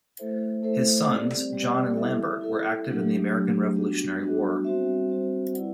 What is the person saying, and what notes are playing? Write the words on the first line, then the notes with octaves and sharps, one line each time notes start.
His sons, John and Lambert were active in the American Revolutionary War.
A3 E4 A4 C5 E5
A3 E4 A4 C5 E5
G3 C4 G4 D5
G3 C4 G4 D5
E4 A4 E5
E4 A4 E5
F#3 A3 D4 G4
F#3 A3 D4 G4
G3 B3 D4 F#4
G3 B3 D4 F#4
G3 C4 F#4 C5 E5
G3 C4 F#4 C5 E5
E4 B4 D5 F#5